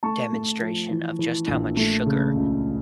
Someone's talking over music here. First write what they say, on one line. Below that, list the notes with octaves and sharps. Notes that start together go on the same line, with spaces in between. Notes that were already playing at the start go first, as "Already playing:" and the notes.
demonstration of just how much sugar
A3 A5 C#6
A3
F3
E3
E3
A#1
A3
C#3
C#2